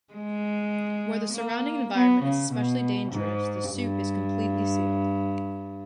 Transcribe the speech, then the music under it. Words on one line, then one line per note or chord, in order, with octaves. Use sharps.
Where the surrounding environment is especially dangerous the suit is completely sealed.
G#3
A#3
B3
C#3
B2
G#2
G2